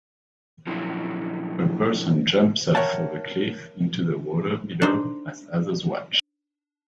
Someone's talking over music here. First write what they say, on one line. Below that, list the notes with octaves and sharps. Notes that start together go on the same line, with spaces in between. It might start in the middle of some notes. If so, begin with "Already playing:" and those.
A person jumps off of a cliff into the water below as others watch.
A#2 D3 F3 F#3 C#4 E4
A#4 C#5 E5 F#5 G5 A5
D4 D#4 C5